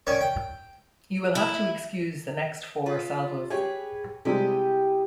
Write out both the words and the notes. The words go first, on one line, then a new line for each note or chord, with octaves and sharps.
You will have to excuse the next four salvos.
D#3 C#4 D5
G5
E4
F4 B4
G4 G#4 B4 C#5
C3 G3 G#3 E4 G4 D#5